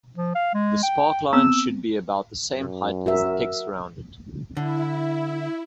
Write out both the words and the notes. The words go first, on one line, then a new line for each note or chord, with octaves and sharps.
The sparkline should be about the same height as the text around it.
F3
F5
G#3
G5
B3 C4 E6
F#2
F#4 A#4 E5
D3 E4